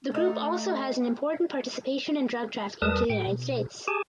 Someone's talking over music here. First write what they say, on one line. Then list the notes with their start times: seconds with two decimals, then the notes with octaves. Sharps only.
The group also has an important participation in drug trafficking to the United States.
0.12 A3 D#4 A4
2.82 E2 G3 A#4 B4 A5 D#6
3.10 A2 G5
3.27 B2
3.88 G4 G#4 G#5 A5